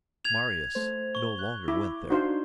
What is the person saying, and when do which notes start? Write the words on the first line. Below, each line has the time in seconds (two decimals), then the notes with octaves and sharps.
Marius no longer went there.
0.25 G#6 F7
0.75 A3 C5
1.15 C#6 G7
1.39 F#6
1.68 E4 D6
2.10 D4 D#4 F#4 C5 F5